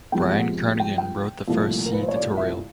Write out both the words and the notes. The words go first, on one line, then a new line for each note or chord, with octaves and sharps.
Brian Kernighan wrote the first C tutorial.
F2 C3 F3 G#3 B3 G5
F#5
G5
G5
C2 A#2 F3 A3
A#4
B4
C5
C#5
D5
E5